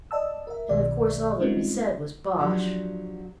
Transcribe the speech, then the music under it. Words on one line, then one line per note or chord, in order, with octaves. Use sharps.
And of course all that we said was bosh.
D5 D#5 A5 E6
A#4 E5
B1 B2 D#3 D5
G3 G#3 C4 C#4 D#4 F4
F3 F#3 D4 G4